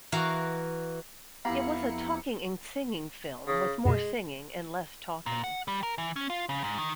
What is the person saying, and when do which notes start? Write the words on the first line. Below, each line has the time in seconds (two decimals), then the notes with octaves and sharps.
It was a talking and singing film with more singing and less talking.
0.12 E3 F#4 A#4 F5
1.45 F2 B3 E4 G4 F5 A#5 B5 C#7
3.47 C#3
3.85 F#2 B2 G#3
5.26 A#2
5.44 F#5
5.68 G3
5.83 A#4
5.98 E3
6.16 C#4
6.30 F4
6.49 C#3
6.64 G#2
6.78 D#3